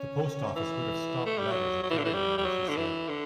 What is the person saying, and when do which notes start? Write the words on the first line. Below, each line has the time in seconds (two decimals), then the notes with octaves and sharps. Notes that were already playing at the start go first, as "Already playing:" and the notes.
"The Post Office would have stopped letters or telegrams," he said.
Already playing: C#4
0.55 E3
1.26 A3
1.38 G3
1.51 F#3
1.83 F#3
1.90 E3
1.98 D3
2.05 E3
2.14 G3
2.38 G3
2.45 F#3
2.69 D3
2.77 E3
3.09 D3